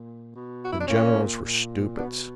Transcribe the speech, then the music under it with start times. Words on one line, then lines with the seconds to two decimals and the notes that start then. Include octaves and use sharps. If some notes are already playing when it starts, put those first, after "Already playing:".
The generals were stupids.
Already playing: A#2
0.35 B2
0.65 F#4
0.73 E4
0.81 D4
0.88 A#2 A#3 C#4
1.43 A#2
1.97 B2 B3 D4